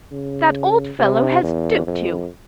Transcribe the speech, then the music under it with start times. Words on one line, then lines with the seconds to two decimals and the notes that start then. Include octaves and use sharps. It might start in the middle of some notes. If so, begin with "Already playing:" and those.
That old fellow has duped you!
0.12 C#3
0.99 C3
1.43 E2
1.87 F2